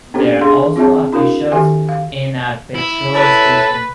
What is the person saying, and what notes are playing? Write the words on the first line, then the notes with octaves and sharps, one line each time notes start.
There are also a few shops and a petrol station.
B3 C#4 D4 G4 A4 C5
D4 G#4 F5 C6
C4 F4 G#4 E5 A5
D4 E4 F#4 A#4 F5
D#3 G4 A4 E5 G#5
F5
E4
A4 B4 C#5 A5